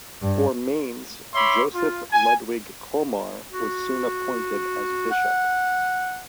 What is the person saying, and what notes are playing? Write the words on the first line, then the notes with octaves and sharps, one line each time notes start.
For Mainz, Joseph Ludwig Colmar was soon appointed as bishop.
G2
C#5 E5 B5 C6 D6
F4
G#5
F#4
F#5